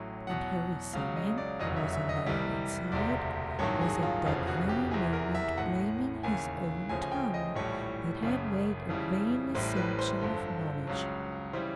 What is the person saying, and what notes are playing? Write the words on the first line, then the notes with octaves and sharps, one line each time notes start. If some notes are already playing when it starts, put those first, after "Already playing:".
And Harisarman, who was alone inside, was at that very moment blaming his own tongue, that had made a vain assumption of knowledge.
Already playing: A1 A2 F#3
E2 B2 F#3 F#5
C#2 C#3 F#3 F5
D#5
D5
F1 E2 C#3 F#3 D#5
E5
E5
D#5
C2 C3 E3 G3
E1 D2 C3 D5
A1 G2 D#3 F#3 C#5
G#4
F4
F1 E2 C#3 F3
F#4
G4
E2 C3 E3 G#4
A#4
E5
A1 A2 E3 F#5
D#2 C#3 E3 G#5
D2 C#3 F3 G#5
G#5
G5
D#5
A#1 A2 E3 G3 C#5
F#1 F#2 C#3
F2 C#3 E3 G3
A1 A2 E3 G3 C5
B4
C5
G1 F2 D3
C#2 C#3 F#3
C#3 E3 G3 C5